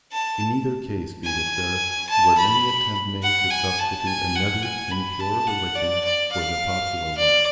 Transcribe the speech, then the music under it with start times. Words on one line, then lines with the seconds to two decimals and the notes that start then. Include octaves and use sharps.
In neither case, be it observed, was any attempt made to substitute another and purer religion for the popular one.
0.12 A5
1.24 G#5
2.09 A5
2.38 B5
3.23 F#5
3.51 G#5
3.79 A5
4.07 G#5
4.35 F#5
4.63 G#5
4.91 B5
5.20 A5
5.47 F#5
5.75 D5
6.04 D5
6.32 F5
7.17 D5